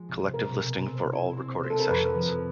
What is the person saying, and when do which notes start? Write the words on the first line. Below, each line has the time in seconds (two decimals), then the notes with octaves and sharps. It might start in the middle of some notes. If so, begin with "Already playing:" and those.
Collective listing for all recording sessions.
Already playing: F3 G#3
0.09 C3
0.34 B2 A#4
0.60 G#3
0.86 C4
1.12 E4
1.37 C4
1.63 C4
1.70 A4
1.80 A#4
1.89 F2 B4
2.15 F3